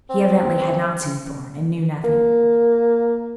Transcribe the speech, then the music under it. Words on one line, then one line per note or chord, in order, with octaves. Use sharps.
"He evidently had not seen Thorn, and knew nothing."
C4
A#3